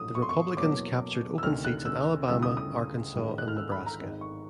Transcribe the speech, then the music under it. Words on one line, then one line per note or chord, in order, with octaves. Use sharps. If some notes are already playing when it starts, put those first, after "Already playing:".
The Republicans captured open seats in Alabama, Arkansas, and Nebraska.
Already playing: A#1 A2 F#3 D#6
C#6
C6
C#6
E2 B2 F#3 A#3 D6
E6
D2 C3 D#3 F6
F#6
E6
D2 C#3 E3 G3 E6
D#6
D#6
A1 G#2 D#3 G#3
F#6
F6
E6
B5
A#5
G#1 G#2 D#3 G#3
C#6